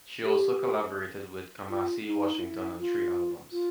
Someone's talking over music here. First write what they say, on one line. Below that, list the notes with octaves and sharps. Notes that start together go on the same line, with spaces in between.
She also collaborated with Kamasi Washington on three albums.
G4
F4
D#4
F4
E4
F4
F4